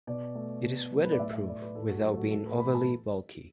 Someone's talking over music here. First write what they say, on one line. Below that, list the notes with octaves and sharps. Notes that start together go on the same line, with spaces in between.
It is weatherproof without being overly bulky.
B2 D5
A3
B2
F#3 A3
B4
D5
A2 E5
E5
A3 D5
B4
A2 A4
F#4
F#3 A3 A4
F#4
A2 A4
B4
E3 A3 B5
A5